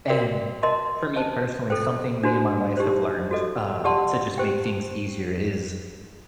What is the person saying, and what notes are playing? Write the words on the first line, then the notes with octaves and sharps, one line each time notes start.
and for me personally, something me and my wife have learned, uh, to just make things easier is
F#4 A#4 D5 G5
A#4 D#5 A5 C6
C5 D#5 A5
A4 C5 G5
D4 F#4 C5
D#4 G4 C5
F#4 A4 D#5
G4 D5 F#5 A5 C6
G4 C5 G5